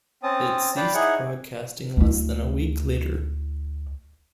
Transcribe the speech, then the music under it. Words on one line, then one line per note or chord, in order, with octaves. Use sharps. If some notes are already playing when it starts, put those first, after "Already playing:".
It ceased broadcasting less than a week later.
C4 C#4 A5 D#6
B4 D5 F5 G5 A5
D#4 E4 G#4 C#5 F#5 C#6
D2 E4